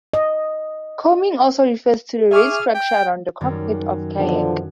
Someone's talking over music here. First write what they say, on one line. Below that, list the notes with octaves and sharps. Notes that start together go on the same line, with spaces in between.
Coaming also refers to the raised structure around the cockpit of a kayak.
D#5
G#4 E5 C#6 D6 F6
G5
F#2 D#3 G3
B2 D3 F3